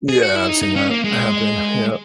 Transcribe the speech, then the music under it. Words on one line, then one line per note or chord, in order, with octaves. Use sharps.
Yeah, I've seen that happen. Yeah.
G#4
F#4
E4
D#4
D#4
C#4
A#3
G#3